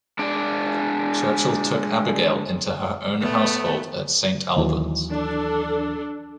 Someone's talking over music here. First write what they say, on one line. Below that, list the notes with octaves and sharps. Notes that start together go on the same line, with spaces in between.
Churchill took Abigail into her own household at Saint Albans.
G#3 D4 D5
A3 B3
D#2 E3 F#3
D4 A4